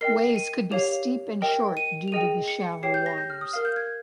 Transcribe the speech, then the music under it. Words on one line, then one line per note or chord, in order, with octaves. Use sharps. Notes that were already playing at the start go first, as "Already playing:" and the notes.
Waves could be steep and short due to the shallow waters.
A#4 D#5 G5 C7
D#7
G4 C#5 F5 F7
A#4 D#5 G5
D#7
F7
G#4 D#5 G5 D#7
C#7
G4 C#5 G5 C7
G6
A#6
G6
F6
D#6
A#4 F5 F6
G6
G#6